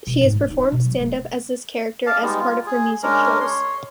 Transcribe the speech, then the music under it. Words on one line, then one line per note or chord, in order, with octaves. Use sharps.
She has performed stand-up as this character as part of her music shows.
B2
G#2
A3
D#4
B2
F#3
A3
D5 F5 A5
G3 G#3 B3 D#4
F4
G#4
G#3 C#4 D4 A#4
C#5 C6